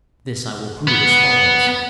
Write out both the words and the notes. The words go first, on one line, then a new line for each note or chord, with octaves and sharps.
This I will prove as follows.
B3